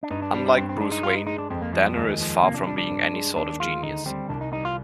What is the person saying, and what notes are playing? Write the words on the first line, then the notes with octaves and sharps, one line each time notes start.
Unlike Bruce Wayne, Danner is far from being any sort of genius.
D4
G2 D#4
D4
G3 D4
D4
G2 C4
C4
G#3 D4
D#4
G2 F4
D#4
G#3 D#4
D4
F2 C4
A#3
F3 G#3
G3
D#2 G#3
F3
C3 A#3
D4
G3 D4
D4
G2
G#3
D#2 D4
G#3 F4
D2 D#4
G3 C4
C2 D4
D#4
G3 D#4
F4